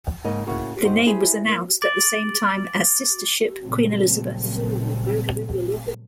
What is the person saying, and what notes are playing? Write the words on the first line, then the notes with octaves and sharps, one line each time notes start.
The name was announced at the same time as sister ship "Queen Elizabeth".
G#2 C#3 A#3 A#4 D#5
A2 C#3 A#3 F#4
G2 B2 D#4 F#4 C5
E4 G4 G#4 B4 C5
A#3
D6 A6 D7 F#7
A#2 C#3 F#3 G3 A3 C4